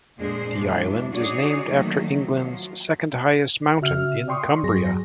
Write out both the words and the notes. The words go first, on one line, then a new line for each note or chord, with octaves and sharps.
The Island is named after England's second highest mountain, in Cumbria.
F2 A#2 G#3 D4 G#4 C5
E3 F#3 G#3 D4
C#4 D#4 F#4 G#4 C#5 D5
D#3 E3 F#3 A3 A#3
F3 F#3
C#3 F#4 E5 F6
D5 G5 C6 C#6 D#6
G2 F#3 G#4 A#6